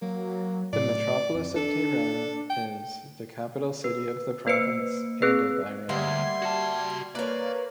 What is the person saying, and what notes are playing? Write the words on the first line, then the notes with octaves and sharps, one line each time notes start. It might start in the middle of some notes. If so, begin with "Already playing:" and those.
The metropolis of Tehran is the capital city of the province and of Iran.
F#3 A#3
A2 D5
F2
D4 A4
G5
B4
A#3 B4 C5 C#7
C4 G#4 B4
D2 G3 A#3 E5 F#5 C6 G#6
F#4 A5
A#3 B4 C#5 D5